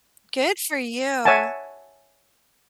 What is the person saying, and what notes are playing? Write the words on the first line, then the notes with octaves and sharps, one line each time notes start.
Good for you.
C#5 E5 F#5 G#5 A5